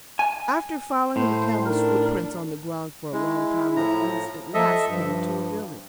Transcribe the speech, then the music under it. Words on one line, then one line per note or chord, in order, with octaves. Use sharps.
After following the camel's footprints on the ground for a long time, the police at last came to a village.
G#5
A2 C5
D4 D#4 A#4
G#3 E4
A2 F3 A#5
F3 A4 D#5 E5
G2 F3